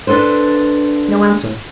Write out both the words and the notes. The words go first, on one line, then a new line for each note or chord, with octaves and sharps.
No answer.
D4 A4 B4 C5